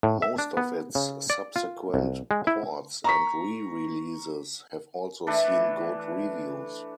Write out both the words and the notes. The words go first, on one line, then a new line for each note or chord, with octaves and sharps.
Most of its subsequent ports and re-releases have also seen good reviews.
A2
E5
D4
B3
C#3
D5
F4
C2
G#3
E4
A#5 C#6 B6
E3 A3 D4 B4